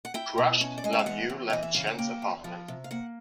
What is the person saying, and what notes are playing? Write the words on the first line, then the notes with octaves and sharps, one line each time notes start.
Crushed, Lan Yu left Chen's apartment.
F#5
E4 G5
B2
C#4
D5
G#3 D#5
E5
F5
E2 F#5
E2
E3 D#5
E5
C#3 F5
F#5
A#3 G5
E2
F3
C3
F5
A#3 F#5